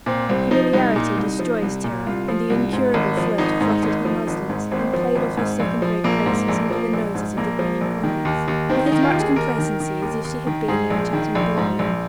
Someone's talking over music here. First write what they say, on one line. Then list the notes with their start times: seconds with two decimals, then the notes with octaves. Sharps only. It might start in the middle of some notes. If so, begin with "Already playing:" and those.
Familiarity destroys terror, and the incurable flirt, fluttered her muslins, and played off her second-rate graces, under the noses of the grinning convicts, with as much complacency as if she had been in a Chatham ball-room.
0.06 A#2 C4
0.29 C2 C4
0.51 F3 D#4
0.73 C2 D#4
0.96 A#2
1.17 C2
1.39 F3
1.62 C2
1.84 A#2
2.07 C2 F4
2.28 F3
2.50 C2
2.73 G#2
2.94 G#1
3.17 F3
3.38 G#1 D#4
3.61 G#2
3.83 G#1
4.05 F3
4.27 G#1
4.50 G#2
4.71 G#1 C4
4.93 F3
5.15 G#1
5.37 G#2
5.60 A#1
5.82 F3
6.04 A#1 A#3
6.26 G#2
6.48 A#1
6.70 F3
6.93 A#1
7.15 G#2
7.37 A#1 A#3
7.59 F3
7.81 A#1
8.03 D#3
8.25 D#2
8.48 D#2
8.69 D#3 C4
8.86 D#4
8.92 D#3
9.03 F4
9.14 D#2
9.19 G#4
9.36 D#2 A#4
9.58 D#3
9.80 D#3
10.02 D#2
10.25 D#2
10.47 D#3
10.68 G#2 G#4
10.90 A#1
11.13 D#3
11.35 A#1
11.57 G#2
11.79 A#1